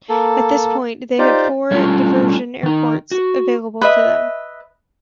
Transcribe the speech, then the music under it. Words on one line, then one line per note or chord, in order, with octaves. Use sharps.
At this point they had four diversion airports available to them.
A#3 A4
D#4 F4 G4 C5 D5
G3 A3 C#4 D4 F4
D#3 D#4
F#4
B4 D#5 E5